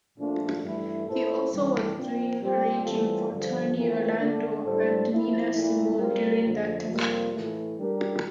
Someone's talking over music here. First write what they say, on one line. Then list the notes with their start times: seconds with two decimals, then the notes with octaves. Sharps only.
He also was doing arranging for Tony Orlando and Nina Simone during that time.
0.17 A#2 F3 A3 D4 F4
0.63 G2 E3 A3 E4
1.07 A#2 A3 E4 A4 C5
1.52 F2 C3 E3 G3 D4
1.97 A#2 F3 C4
2.41 A#2 G3 C4 G4 C5
2.85 E3 G3 C4 F4 A4
3.30 G2 D3 F3
3.76 E3 A3 C4 F4 A#4
4.20 D3 A3 D4
4.65 A2 G3 D4 A4 C5
5.10 F3 C4 E4
5.54 A#2 A3 E4
5.98 G3 C4 F4 A#4
6.43 F2 D3 F3
6.88 F2 C3 G3 A#3 F4
7.33 A2 E3 A3
7.78 G3 D4 G4 A#4